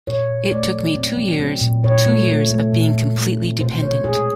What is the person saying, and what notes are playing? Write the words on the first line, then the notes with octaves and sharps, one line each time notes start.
It took me two years; two years of being completely dependent.
A#2 C#5
A#2
A3 D5
F#3
C4
F#3
C4
A#2
A#2 C#5
A3
A3
A3
A#2
A#2
A3
C4
B2 C5
B2 C#5
B2 G#4